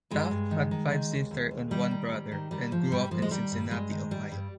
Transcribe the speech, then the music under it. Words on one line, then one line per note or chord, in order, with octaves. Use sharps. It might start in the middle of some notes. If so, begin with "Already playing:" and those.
Taft had five sisters and one brother and grew up in Cincinnati, Ohio.
G2 G#3
G2
D#3
D#3
D#3
D#2
D#2
D#2
D#3 G3
D#3
G#2
D#3
D#3 G3
G#2 F3
G#2 G3
G#2 F3
G#3
D#3 G3
G2
G2 G#3
D#3
G2 G3
G2